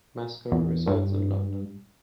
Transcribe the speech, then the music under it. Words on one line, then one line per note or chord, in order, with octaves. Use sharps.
Mescal resides in London.
E2
G2